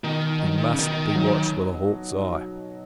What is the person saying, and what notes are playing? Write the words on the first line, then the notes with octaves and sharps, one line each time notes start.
He must be watched with a hawk's eye.
B2 D#3
F#3 D#4
C#3
B2 D#3
F#3 D#4